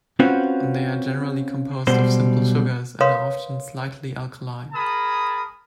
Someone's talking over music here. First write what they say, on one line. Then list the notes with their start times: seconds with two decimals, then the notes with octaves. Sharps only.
They are generally composed of simple sugars and are often slightly alkaline.
0.20 C4 C#4 F4 F#4 B4 C5
1.87 B1 B2 G3 C5 C6
3.01 A#4 B4 C#5 F5 C6 D#6
4.73 G#4 A#4 A5 B5 D#6